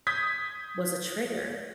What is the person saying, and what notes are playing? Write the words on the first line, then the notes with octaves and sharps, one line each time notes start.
was a trigger."
D#6 G6 G#6 B6